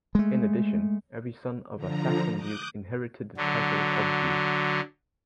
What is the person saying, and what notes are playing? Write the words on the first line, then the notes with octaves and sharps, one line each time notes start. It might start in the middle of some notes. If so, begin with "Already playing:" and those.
In addition, every son of a Saxon duke inherited the title of duke.
G#3 A3
D3 F3 A#5
D6 D#6 F#6 G6
D3 F#3